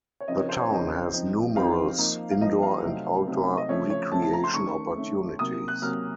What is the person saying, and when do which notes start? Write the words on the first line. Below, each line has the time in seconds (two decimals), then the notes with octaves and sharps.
The town has numerous indoor and outdoor recreation opportunities.
0.20 C#5
0.28 C#3 F3 C4 D#4 D#5
0.38 C#5
0.49 C5
0.60 C#5
0.71 C#3 F3 C4 D#4 D#5
1.13 F3 C4 D#4
1.56 F3 C4 D#4 F5
1.98 F3 A#3 D#4
2.31 F5
2.41 F3 A#3 D#4 D#5
2.62 F5
2.84 C3 F#3 A3 C4 D#4
3.26 C3 F#3 A3 C4 D#4
3.57 D#5
3.69 C#3 F3 A3 C#5
3.90 C#5
4.12 C#3 F3 A3 A5
4.22 A5
4.33 A#5
4.44 C6
4.54 D#3 A3 C#4 C#6
4.97 D#3 A3 C#4
5.39 C3 F#3 A#3 D#6
5.68 F#6
5.82 C3 F#3 A#3 F6